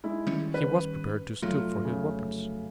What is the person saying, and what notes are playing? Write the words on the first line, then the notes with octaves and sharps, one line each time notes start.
He was prepared to stoop for his weapons.
G#3 E4
D#3 G3 C#4
B4
F1 F#3 A3 F4
C#3